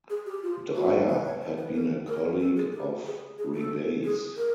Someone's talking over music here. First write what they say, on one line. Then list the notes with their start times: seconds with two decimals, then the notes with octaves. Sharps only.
Dreier had been a colleague of Rebay's.
0.10 G#4
0.26 G4
0.43 F4
0.75 F#4
1.09 B4
1.25 C#5
1.41 C5
1.57 B4
1.74 A#4
2.07 A#4
2.40 A4
2.56 G#4
2.73 G4
3.06 G#4
3.38 G#4
3.54 A4
4.04 G#4
4.37 A#4